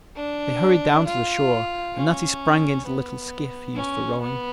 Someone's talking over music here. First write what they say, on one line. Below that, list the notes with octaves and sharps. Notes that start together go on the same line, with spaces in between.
They hurried down to the shore and Natty sprang into the little skiff he used for rowing.
D4
F4
C#4
B3
C#4
B3